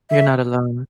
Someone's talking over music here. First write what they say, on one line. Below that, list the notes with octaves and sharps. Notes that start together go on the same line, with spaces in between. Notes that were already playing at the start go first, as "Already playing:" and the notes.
You're not alone.
E5